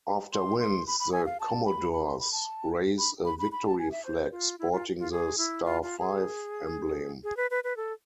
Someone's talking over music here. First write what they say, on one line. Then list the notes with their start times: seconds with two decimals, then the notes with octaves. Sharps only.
After wins the Commodores raise a victory flag sporting the "Star Five" emblem.
0.33 C6
0.60 C6
0.87 B5
1.00 B5
1.12 G#5
1.26 F5
1.40 A5
1.66 B5
1.93 B5
2.06 C6
2.19 B5
2.32 A5
2.98 B5
3.25 B5
3.39 B5
3.52 B5
3.66 A5
3.79 G#5
3.91 E5
4.05 C5
4.32 F4
4.59 E4
4.72 F4
4.99 F4
5.12 G#4
5.38 E4
5.65 F4
5.82 F4
6.00 G#4
7.24 G#4
7.37 B4
7.51 B4
7.64 B4
7.77 A4